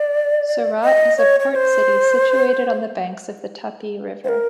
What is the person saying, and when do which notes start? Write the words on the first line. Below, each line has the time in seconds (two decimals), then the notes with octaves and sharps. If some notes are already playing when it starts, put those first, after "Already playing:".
Surat is a port city situated on the banks of the Tapi river.
Already playing: D5
0.83 D#5
1.18 C#5
1.40 C#5
1.51 C#5
1.56 C5
4.24 C5
4.29 A#4